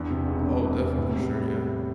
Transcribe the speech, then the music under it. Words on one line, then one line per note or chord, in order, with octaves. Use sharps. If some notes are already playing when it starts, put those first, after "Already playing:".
Oh, definitely, for sure, yeah.
Already playing: E2 D4
C3
E1
E1
E2
C3
A2
G3